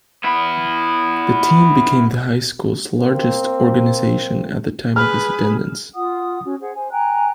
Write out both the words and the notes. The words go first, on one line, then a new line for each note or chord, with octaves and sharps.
The team became the high school's largest organization at the time of his attendance.
B3 E4
A#3 C4
G#4 B4 F6
F4 F#5 D#6
C#4 F#4
G#4 C5 F#5
C5 G#5
G5 G#5 A#5 F#6